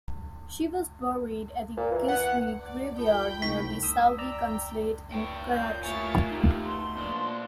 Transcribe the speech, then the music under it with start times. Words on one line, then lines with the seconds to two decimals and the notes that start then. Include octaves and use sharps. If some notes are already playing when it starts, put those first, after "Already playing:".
She was buried at the Gizri Graveyard near the Saudi Consulate in Karachi.
1.77 A#2
1.91 E3
2.08 F#5
2.61 D5
2.98 F4 A4 G5 A5 B5 G6
3.42 C2 G3 A3 D#4 B6
3.83 D#6 E6
4.18 D5 G5 A#5 E6
5.12 G2 C#5 G5
5.50 A#2 G6
5.83 A3 A#3 E4 F4 C#5 E5 G#5 A6
6.31 A3 D#4 G4
6.65 B2 C6
6.97 A#2 D4